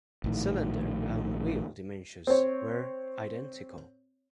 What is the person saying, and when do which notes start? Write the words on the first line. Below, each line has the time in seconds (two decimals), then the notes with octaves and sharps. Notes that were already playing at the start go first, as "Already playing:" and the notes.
Cylinder and wheel dimensions were identical.
0.24 A#1 A2 D#3
2.27 C4 C#5